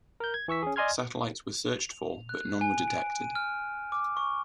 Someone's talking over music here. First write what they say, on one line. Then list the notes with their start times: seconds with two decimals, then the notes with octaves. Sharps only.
Satellites were searched for but none were detected.
0.20 A#4 G6
0.34 G#6
0.48 E3 C#6 E6 B6
0.63 C#4 G#4
0.76 D5 D#5 G#5 C6 F6 G#6
1.79 F7
2.29 F#6
2.61 G#5
2.88 D7
3.22 D#7
3.35 F6
3.92 D6
4.17 C#6